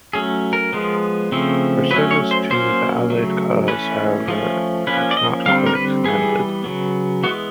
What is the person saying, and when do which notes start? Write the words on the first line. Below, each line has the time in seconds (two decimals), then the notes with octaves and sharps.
Her service to the Allied cause, however, had not quite ended.
0.13 F#3 A3 C#4 G#4
0.53 A#4
0.73 F3 G#3 B3
1.32 C#3 F3 A3 C4
1.91 F#3 A3 C#4 B4
2.11 C#5
2.31 C5
2.50 F#3 A#3 C#4 C5
3.10 C#3 F#3 A3
3.68 E3 A3 C#4 B4
4.28 F3 A3 C#4
4.87 F3 A#3 C#4 B4
5.11 D5
5.17 D#5
5.46 D3 G3 C4 F5
5.66 A#4
5.75 B4
6.04 E3 G3 B3 G#4
6.64 C#3 F#3 B3
7.23 E3 G#3 B3 F#4